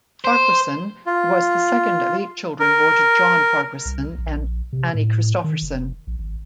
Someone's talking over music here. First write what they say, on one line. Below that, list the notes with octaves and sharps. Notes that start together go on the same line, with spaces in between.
Farquharson was the second of eight children born to John Farquharson and Anne Christopherson.
C5
F4
A#4
C2
A#1
C3
A2
D#3
F1
A#1
G#1